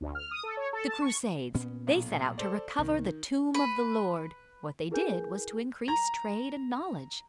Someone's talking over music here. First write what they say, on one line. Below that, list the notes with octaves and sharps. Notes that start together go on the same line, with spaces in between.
The Crusades--they set out to recover the tomb of the Lord!--what they did was to increase trade and knowledge.
D2
F6
D#6
A4
C#5
A4
A5
C#6
A#2 B3 C#4
B1
A4 C5 D5
C2 D#3
B4
E4 G#4 A#4 B4 G#5 G6
A#5